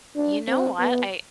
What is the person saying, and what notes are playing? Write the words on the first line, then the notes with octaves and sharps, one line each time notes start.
You know what? I
D4
C4
B3